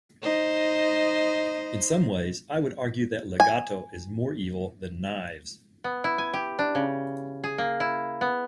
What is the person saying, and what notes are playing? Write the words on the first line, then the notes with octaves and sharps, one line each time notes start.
In some ways, I would argue that Legato is more evil than Knives.
D#4 C5 D#5
G#5
B3
E4
G#5
G4
D4
C#3
G#4
A#3
E4
B3